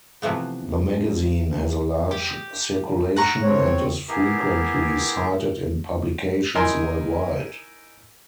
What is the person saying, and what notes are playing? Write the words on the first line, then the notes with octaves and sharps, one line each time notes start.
The magazine has a large circulation and is frequently cited in publications worldwide.
C3 E3 F3 A3 B3
G4
F#5 A#5 C#6
C4 C#5
B3 E4 G4 G#4 A#4
D#4 E4 A#4 G#5 C6